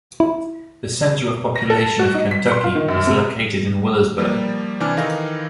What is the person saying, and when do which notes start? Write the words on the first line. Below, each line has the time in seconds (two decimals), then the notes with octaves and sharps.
The center of population of Kentucky is located in Willisburg.
0.20 E4
1.56 A#6
1.70 A4
1.99 F#4
2.14 D#4
2.31 B6
2.52 C6
2.64 F4
2.75 D#3
2.88 F#2
3.07 C3
4.18 F3 G3 A#3
4.80 C3 E3 D4 G#5 D6 F6
4.97 D#3 E3 D#4 A4 F5 A#6